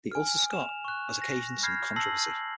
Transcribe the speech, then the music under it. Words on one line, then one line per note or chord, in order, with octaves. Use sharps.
The Ulster-Scot has occasioned some controversy.
G#5 F6
E7 F7
C#6 F#6
A#6
B5 F6 G6 G#6 A#6 C7
A5 E6 A#6 C7 F#7